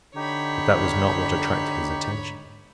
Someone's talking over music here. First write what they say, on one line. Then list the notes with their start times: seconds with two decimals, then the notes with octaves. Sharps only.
But that was not what attracted his attention.
0.16 D3 D#4 G4 C#5 B5